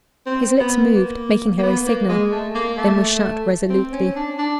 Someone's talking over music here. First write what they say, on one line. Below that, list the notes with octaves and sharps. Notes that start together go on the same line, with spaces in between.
His lips moved, making her a signal, then were shut resolutely.
C4
B3
A#3
A#3
B3
A#3
G#3
A3
A#3
A3
C4
C#4
D4
D4